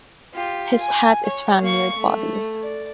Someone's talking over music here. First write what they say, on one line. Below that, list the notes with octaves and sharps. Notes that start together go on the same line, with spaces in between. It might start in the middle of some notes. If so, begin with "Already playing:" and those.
His hat is found near the body.
F4 G4
G#5
C#5
A#3 C#6
A3
D5